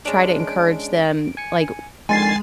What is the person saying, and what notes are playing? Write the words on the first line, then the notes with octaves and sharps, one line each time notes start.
try to encourage them, like,
G#3 C#4 D4 D7
G#5 C#7
F2 D3 D#3 G#3 G#5 A6 C7